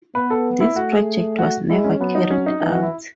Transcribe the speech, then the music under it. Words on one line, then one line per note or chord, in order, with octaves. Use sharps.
This project was never carried out.
B3 B4
A4
E4
A3 F#4
G#4
F#4
G#3 E4
C#4
F#3 B3
D#4
C#4
D#4
E3 D#4
F#4
E4